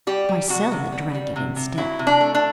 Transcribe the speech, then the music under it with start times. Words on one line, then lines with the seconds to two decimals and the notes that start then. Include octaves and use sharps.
Marcella drank it instead.
0.07 G3 G4
0.29 G3
0.50 C3 F#4
0.72 C3
0.92 G3
1.15 G3
1.36 C3
1.56 C3
1.78 F#3 E4
1.99 C3
2.07 D4
2.21 A3
2.35 D4